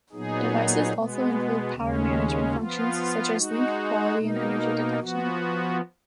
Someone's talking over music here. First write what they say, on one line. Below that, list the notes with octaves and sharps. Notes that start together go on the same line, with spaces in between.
Devices also include power management functions such as link quality and energy detection.
A#2 F#3 B3 D#4 G#4
B2 G#3 B3
D#2 C#3 G#3 C#4
F3 B3 F4
G#3 D#4 F#4
B2 A#3 D#4
F3 B3 F#4